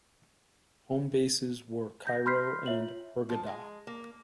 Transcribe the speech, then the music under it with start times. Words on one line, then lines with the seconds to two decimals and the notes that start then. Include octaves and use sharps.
Homebases were Cairo and Hurghada.
2.07 G6 A#6
2.26 B5 C6 F6 G6 B6 C7
2.66 F4 C#5 E5 F#7
3.29 F3
3.47 G#3
3.87 A#3